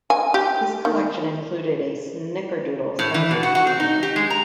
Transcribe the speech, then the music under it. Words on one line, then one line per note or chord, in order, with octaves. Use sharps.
This collection included a Snickerdoodle scented candle.
G#5
G4
D#3
A2
E3
B2
F#4
F#4
C4
D#4
G4
G#3
A#5